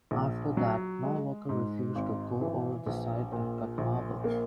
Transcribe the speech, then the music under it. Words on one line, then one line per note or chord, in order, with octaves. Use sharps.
After that no worker refused to go over the side and cut marble.
A#1
F#3
G#3
G#2
G#1
E3
A#1
A#2
A#1
A#3